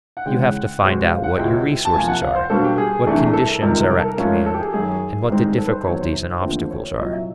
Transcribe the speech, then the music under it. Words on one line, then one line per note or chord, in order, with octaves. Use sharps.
You have to find out what your resources are, what conditions are at command, and what the difficulties and obstacles are.
F#5
C#3 E3 G#3 C#4 G5
F#5
B2 G#3 C4
F5
F#5
C#2 B2 G#3 C#4 E4 G5
A5
F2 C3 F3 A#3 G#5
F#5
F5
C5
B2 G3 A#3 D4 A4
G4
G#4
C2 C3 E3 A3 D4
A4
A#4
C#2 C3 D#3 G3 A#4
A#4
A4
A#4
G#2 F3 A3 C#4 F4
A4
G4
G#4
F#2 D#3 F#3 G#4
G#2 D#3 G3 C4 D#4
A4
B4
C5
E2 C3 D#3 F#3 C#5
C5
D#2 D3 F3 A3 C4
C#5
C2 A#2 F#3 D#5
E5